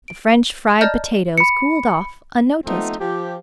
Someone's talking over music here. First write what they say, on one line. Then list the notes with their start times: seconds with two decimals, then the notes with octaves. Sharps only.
The French fried potatoes cooled off, unnoticed.
0.08 D7
0.81 D5 D#5 A5 A#5 F6 G6
1.38 B5 C#7
2.65 F3 A3 B3 C4 D#4
3.00 F3 G4